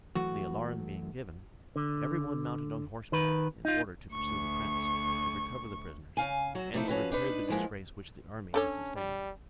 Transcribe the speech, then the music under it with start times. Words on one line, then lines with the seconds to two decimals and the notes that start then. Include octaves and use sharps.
The alarm being given, every one mounted on horseback, in order to pursue the prince, to recover the prisoners, and to repair the disgrace which the army had sustained.
0.15 E3 F#3 A3 F#4
1.76 D3
3.12 D#3 B4
3.65 D#4 F4
4.10 D2 C#6
6.17 C#3 F5 G#5
6.55 F#2 F#3 F#4
6.73 F3 A3 A#3 D#4 E4
6.88 F3 C#4 F#4 B4
7.11 D4 D#4 B4
7.50 F3 G#3 A#3 B3 E4
8.54 C#4 D4 A4 C#5
8.96 G3